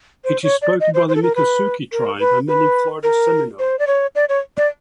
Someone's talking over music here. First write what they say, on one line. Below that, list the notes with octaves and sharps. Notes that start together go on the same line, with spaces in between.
It is spoken by the Miccosukee tribe and many Florida Seminole.
C5
C#5
D5
D#5
C5
C5
A4
A#4
B4
A#4
B4
B4
A#4
C5
D5
C#5
D5
C#5
D5